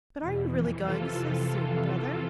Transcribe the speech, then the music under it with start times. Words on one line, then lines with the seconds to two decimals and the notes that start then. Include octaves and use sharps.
"But are you really going so soon, brother?"
0.19 E2 B2
0.50 F2 E3
0.82 F2 C3 E3 F4 A4